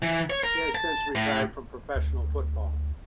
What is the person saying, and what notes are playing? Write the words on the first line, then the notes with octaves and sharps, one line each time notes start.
He has since retired from professional football.
E3
C#5
A#4
A5
A2
D2